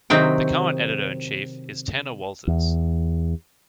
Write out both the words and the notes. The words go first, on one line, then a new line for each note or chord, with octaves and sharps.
The current editor in chief is Tanner Walters.
C3 D#3 F#3 C4 G5
E2